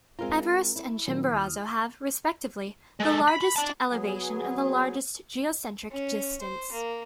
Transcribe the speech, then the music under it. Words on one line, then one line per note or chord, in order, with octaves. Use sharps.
Everest and Chimborazo have, respectively, the largest elevation and the largest geocentric distance.
G#3 C4 F4 A#4 A#5
E4
A#2 D#3 F#3
D#2 D#6 F6
G#3 A4
B5
B5
D4 A5
F#3 B3 G#4
C#4
C5
A#3